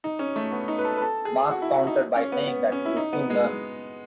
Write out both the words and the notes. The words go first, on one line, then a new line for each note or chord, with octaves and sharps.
Marks countered by saying that he would soon learn.
D#4
C#4
A3
B3
D#4
B4
A4
B4
A4
G#4
F#4
E4
F#4
D#4
C#4
B3
B3
C#4
E4
D#4
B3
G#3